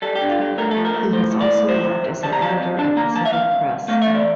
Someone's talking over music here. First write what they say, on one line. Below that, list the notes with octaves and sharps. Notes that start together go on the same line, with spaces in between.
He has also worked as an editor at Pacific Press.
G3 A4
G4
D3
F4
G2 G4
A3 A#4
A4
F3
A#4
A3
A2 C5
A2
D5
A2
C3 C5
C3
C3
G3 A5
A#5
F2 A5
C3
D4 A5
A#3 A#5
F3 A5
E5
C2 F5
C2
C2
A3 F5
E5
E3
D5